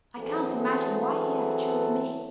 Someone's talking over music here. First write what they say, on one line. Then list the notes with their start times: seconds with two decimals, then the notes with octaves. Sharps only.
I can't imagine why he ever chose me.
0.19 E3 F#3 C4 G#4 A4